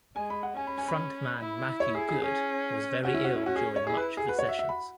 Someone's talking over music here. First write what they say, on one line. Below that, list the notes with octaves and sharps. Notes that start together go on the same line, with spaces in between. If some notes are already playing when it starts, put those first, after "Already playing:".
Front-man Matthew Good was very ill during much of the sessions.
G#3 G#5
B5
F#5
C#4 G#5
B5
G#5
B5
E4
C#5
G#4
G#4
C#4 G#4
C#4 F#4
E4
F#4
E4
C#4 F#4
G#4
C#5
E4 G#4
B4
G#4
F#4 B4
C#5
E5
E5
B5